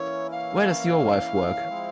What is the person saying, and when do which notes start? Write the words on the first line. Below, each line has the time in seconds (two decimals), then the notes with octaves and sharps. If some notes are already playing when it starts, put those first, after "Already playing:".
Where does your wife work?
Already playing: E3 A#3 C#4 E4 C#5
0.32 F5
1.68 F3 G#3 C4 E4